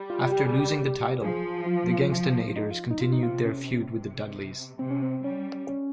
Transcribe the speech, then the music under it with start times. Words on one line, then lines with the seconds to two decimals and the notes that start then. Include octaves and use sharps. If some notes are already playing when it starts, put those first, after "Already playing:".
After losing the title, The Gangstanators continued their feud with the Dudleys.
Already playing: G3
0.10 F4
0.32 G4
0.45 G#4
0.59 G4
1.22 F3 G#4
1.66 F4
2.11 F3
2.56 D#4
2.71 F4
2.91 D#4
3.00 C3 F4
3.13 D#4
3.23 F4
3.45 C#4
3.90 C3
4.79 C3 C4
4.91 C#4
5.02 C4
5.24 G3 C#4
5.68 C#4